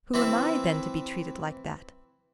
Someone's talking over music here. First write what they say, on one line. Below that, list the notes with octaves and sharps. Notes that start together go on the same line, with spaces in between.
Who am I, then, to be treated like that?
E3 C4 E4